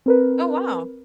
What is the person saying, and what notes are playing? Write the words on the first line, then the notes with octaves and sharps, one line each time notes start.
Oh, wow.
C4 A#4 B4